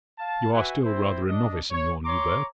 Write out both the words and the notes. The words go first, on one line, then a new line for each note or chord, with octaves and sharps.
You are still rather a novice in your new berth.
F5 A5
F#4 B4 E5 F#5 G#5
C4 E4 C5
D4 D#5
C#5
C#5 A#5 C6 D6